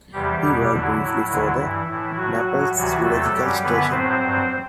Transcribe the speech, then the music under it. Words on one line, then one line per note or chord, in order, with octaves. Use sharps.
He worked briefly for the Naples Zoological Station.
E2 C3 E3 G3 G4
E2 B2 F#3
E2 D3 F#3 E4
A2 F#3
D2 D3 F#3 E4
G2 E3
A2 E3 E4
A2 F#3 F#4
A2 F#3
D2 C3 E3 F#3 F#4
E2 C3 F#3 A3 A4
F#2 F#3 G3 G4
F#2 D3 F#3 B3 B4
A2 F#3 C4 C5
G2 F#3